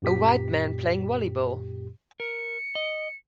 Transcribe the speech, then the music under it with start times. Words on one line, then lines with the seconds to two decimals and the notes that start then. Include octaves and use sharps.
A white man playing volleyball.
0.02 F#2 A#2 G4 B6
2.20 A#4 C#7
2.75 D#5